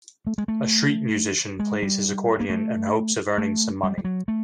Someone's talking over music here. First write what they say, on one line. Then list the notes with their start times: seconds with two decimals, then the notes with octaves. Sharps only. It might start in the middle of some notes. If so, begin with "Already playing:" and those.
A street musician plays his accordion in hopes of earning some money.
0.27 A3
0.38 G#3
0.48 A3
1.59 G#3
1.83 G3
2.40 A#3
2.50 A3
3.38 A3
3.83 G3
3.98 G3
4.05 F#3
4.28 A3